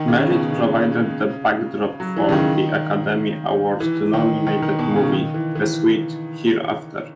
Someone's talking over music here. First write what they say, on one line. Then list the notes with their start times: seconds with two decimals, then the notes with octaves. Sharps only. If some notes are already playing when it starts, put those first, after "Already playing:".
Merritt provided the backdrop for the Academy Award-nominated movie "The Sweet Hereafter".
Already playing: D#3
0.08 C#3
0.31 B2
0.52 C#3
2.00 F#3
2.17 E3
2.29 C#3
2.32 D#3
3.80 E3
4.13 D#3
4.47 D#3
4.62 D#3
4.79 B2
4.96 C#3
5.12 D#3
5.34 E3
5.56 E3